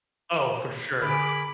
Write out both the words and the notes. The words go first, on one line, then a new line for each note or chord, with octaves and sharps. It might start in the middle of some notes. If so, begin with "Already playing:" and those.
Oh, for sure.
D3 G#4 A#4 B5 D6